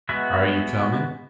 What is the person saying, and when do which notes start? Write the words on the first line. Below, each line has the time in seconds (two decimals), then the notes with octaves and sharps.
"Are you coming?"
0.09 G#3 B3 F#4 B4 E5